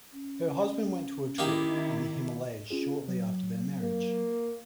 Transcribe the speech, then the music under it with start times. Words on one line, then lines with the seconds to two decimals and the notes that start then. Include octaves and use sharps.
Her husband went to a trip in the Himalayas shortly after their marriage.
0.13 C#4
1.38 D#3 A#3 D#4 E4 G4
2.70 C#4 F4 G#4
3.08 F#3
3.82 A#3